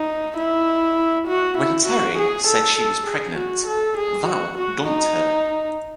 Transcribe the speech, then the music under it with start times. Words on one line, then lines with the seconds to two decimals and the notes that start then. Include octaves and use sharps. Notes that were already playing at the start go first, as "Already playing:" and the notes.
When Terri said she was pregnant, Val dumped her.
Already playing: D#4
0.37 E4
1.28 F#4
1.58 E4
1.87 F#4
2.18 G#4
2.47 A4
2.78 A4
3.07 G#4
3.37 F#4
3.67 A4
3.98 G#4
4.27 F#4
4.58 F#4
4.87 D#4